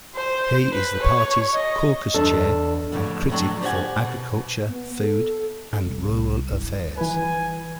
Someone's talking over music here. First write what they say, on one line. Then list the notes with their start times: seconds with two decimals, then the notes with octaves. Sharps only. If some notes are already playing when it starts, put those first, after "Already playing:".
He is the party's Caucus Chair and critic for Agriculture, Food and Rural Affairs.
0.15 C5
0.72 B4
1.01 C#5
1.53 D#5
2.14 E2 D4 A4
2.92 F2 A2 D3
3.30 A2 F#3 A3 D4
3.62 G4 C5 D5 D#5 F#5 G#5
4.05 B2
4.68 B3
5.00 A4
5.86 C2
6.49 G1 E4
6.98 E3 B4 G#5